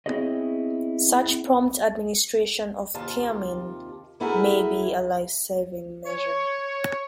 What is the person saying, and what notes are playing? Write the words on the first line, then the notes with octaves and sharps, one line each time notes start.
Such prompt administration of thiamine may be a life-saving measure.
B3 C4 E4 G#4 C#5 D#5
D#2 C3 F4 A5
E3 A3 E4 F#4 G#4 A#4
C#5